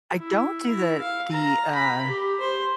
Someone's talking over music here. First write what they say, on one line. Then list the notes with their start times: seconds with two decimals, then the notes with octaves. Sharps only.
I don't do the the, uh,
0.18 E4
0.69 E4
1.01 F5
1.32 A#5
1.74 B5
2.07 G4
2.40 C5